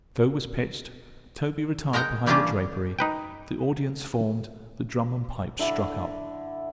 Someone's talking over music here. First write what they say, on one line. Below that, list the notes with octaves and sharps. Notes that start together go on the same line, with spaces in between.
The show was pitched, Toby retired behind the drapery, the audience formed, the drum and pipes struck up.
G#3 A#4 F#5 G5 A#5
E3 G3 A#3 C#4 D4 F4
D#4 B4 G5
D3 E4 D5 B5